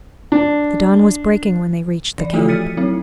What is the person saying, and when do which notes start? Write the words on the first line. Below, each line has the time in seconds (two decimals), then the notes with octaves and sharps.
The dawn was breaking when they reached the camp.
0.32 D4
2.18 E3 D5
2.33 F3 A3 E4 F4 G4 A4
2.48 F6 A6 B6 C#7 D#7
2.77 F#3 C4 E4